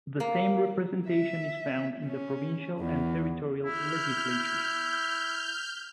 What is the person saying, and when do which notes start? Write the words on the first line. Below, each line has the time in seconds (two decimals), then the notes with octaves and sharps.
The same representation is found in the provincial and territorial legislatures.
0.20 A#3
1.08 E5
2.07 C#4
2.80 E2
3.65 E4 F6 G6